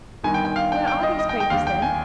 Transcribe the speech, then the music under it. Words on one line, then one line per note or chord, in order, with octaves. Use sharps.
"Where are these papers, then?"
G1 G2 D#3 G#5
G5
G5
F5
G5
G5
D#5
D#5
G5
G5
D#2 D3 F5
G5
G#5